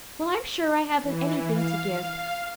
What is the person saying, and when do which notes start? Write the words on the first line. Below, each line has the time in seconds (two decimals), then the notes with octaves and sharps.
Well, I'm sure I haven't anything to give.
1.02 E3
1.49 F5